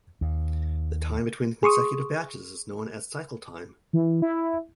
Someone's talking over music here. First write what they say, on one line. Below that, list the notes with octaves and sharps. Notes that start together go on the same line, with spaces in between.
The time between consecutive batches is known as cycle time.
D#2
G#4 C6 C#6 D#6
E3
E4